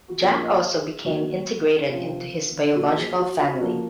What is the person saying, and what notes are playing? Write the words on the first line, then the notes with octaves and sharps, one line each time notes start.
Jack also became integrated into his biological family.
F#4
A#2 F3 A#3 C#4 G#4
D#5
F5
G#4
D#3 F#3 A#3 C#4 F#4
C3 F3 C4 F4
A#2 F#3 C#4 F#4
G#4
F#4
F#4
F3 A#3 C#4 F#4